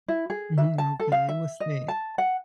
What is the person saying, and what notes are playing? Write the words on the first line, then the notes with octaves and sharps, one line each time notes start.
Mhm, okay, what's that?
E4
G#4
E5
A5
A4
F5
E5
D#5
A5
F#5